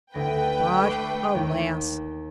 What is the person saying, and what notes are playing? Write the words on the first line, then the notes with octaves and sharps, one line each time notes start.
But alas!
D2 A3 E4 B4 G5 A#6
C#6 D6 C7
D#2